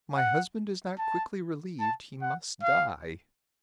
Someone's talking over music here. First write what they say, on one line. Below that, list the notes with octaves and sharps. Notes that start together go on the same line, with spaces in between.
"If my husband is not quickly relieved, he must die."
F#5
A5
A5
F#5
F5